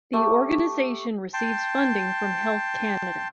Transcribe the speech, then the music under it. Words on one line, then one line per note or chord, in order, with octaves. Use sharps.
The organization receives funding from Health Canada.
A3 G4
G5 A5 C6